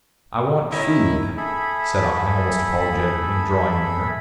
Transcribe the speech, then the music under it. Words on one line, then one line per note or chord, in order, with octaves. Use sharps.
"I want food," said I, almost apologetically, and drawing near.
D#3 C#4 E4 A#4
G#4 A4 E5 B5